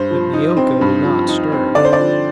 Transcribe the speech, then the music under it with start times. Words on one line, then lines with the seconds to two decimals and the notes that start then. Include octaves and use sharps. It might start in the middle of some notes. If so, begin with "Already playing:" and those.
But Neeoka would not stir.
Already playing: G2 C5
0.10 F3
0.33 D#4
0.57 C4
0.81 G2
1.04 F3
1.28 D#4
1.52 C4
1.75 D3 D5
1.85 C5
1.93 D5
1.99 F3